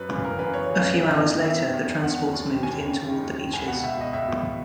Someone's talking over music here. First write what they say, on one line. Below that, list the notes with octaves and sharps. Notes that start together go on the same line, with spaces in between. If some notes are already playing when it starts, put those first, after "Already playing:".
A few hours later, the transports moved in toward the beaches.
Already playing: F#2 B4
C#3 E3
F#2 A#4
C#3 E3 B4
F#2 C#5
C#3 E3
F#2
C#3 E3 E5
E2 D#5
D#3
E2 E5
D#3
E2
D#3
E2 F#5
D#3
D#2
D#3
D#2 G#5
D#3
D#2
D#3
D#2
D#3
C#2 G#5
B2 F#5
C#2 E5
B2 D#5
C#2 E5
B2